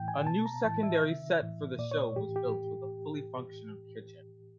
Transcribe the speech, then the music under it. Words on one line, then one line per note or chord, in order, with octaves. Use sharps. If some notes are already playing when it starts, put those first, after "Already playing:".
A new secondary set for the show was built with a fully functional kitchen.
Already playing: A2 E3 G5
G#5
B2 A5
A#5
A2 E3 A5
E5
C3 D#3
A2 E3
A#2 D5
C#5
A2 E3 G4
G4